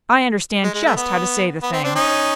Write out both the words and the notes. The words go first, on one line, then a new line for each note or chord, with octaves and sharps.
I understand just how to say the thing.
G#3
G#3
A3
B3
B3
C4
C4 D4
C#4 D#4